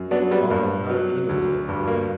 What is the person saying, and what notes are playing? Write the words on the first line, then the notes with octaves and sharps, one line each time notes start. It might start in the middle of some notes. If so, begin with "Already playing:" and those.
I'll have no Emmas, at present.
Already playing: F#2
F#3 B3 D4
G3 B3
G2 A#3
F#3
D2
G2
A#3